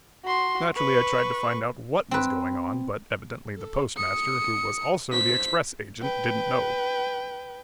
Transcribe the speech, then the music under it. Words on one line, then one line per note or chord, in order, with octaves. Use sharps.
Naturally I tried to find out what was going on but evidently the Postmaster, who was also the express agent, didn't know.
F#4 C6
B4 C#6
C4 B4
A4
D#6 C#7
C5 B6
B4 G5